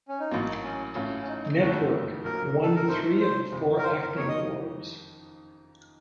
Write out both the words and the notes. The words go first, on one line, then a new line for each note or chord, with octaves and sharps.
"Network" won three of the four acting awards.
C#4
D#4
A1 A2 F#3 A#3 F4
D#4
C#4
A1 A2 A3 C#4 F4
C#4
D#4
D#4
F#1 F2 D#3 A3 F#4
A#1 A#2 F#3 A#4
A4
A#4
A2 A3 D#4 F#4 C5
C5
F#1 F2 C3
A#4
C5
A#4
F2 D#3 A#3 D#4 F#4 C#5
D#5